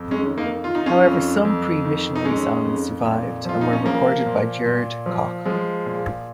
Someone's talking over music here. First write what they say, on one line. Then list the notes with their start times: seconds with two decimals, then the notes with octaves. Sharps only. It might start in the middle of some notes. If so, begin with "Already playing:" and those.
However some pre-missionary songs survived and were recorded by Gerd Koch.
Already playing: F2
0.11 G#3 C#4
0.25 D#3
0.38 A#3 D#4
0.64 D#3 F4
0.75 D#4
0.86 C#4 F4
1.05 F2
1.45 F2
1.85 D#3
2.16 D#4
2.25 D#3 G#3 C#4
2.65 F2
3.05 A#2
3.45 F3 F4
3.61 D#4
3.73 C#4
3.85 F3 A#3
4.26 A#2
4.66 A#2
5.06 F3
5.45 F3 G#3
5.86 A#2